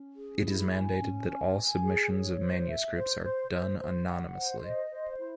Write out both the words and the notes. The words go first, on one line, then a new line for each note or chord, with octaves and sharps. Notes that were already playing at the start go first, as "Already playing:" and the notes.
It is mandated that all submissions of manuscripts are done anonymously.
Already playing: C#4
G#4
E4
G#5
C#4
G#5
G#5
G#4
C#5
C5
E5
C5
C5
C5
C5
F#5
C5
D#5
C5
E4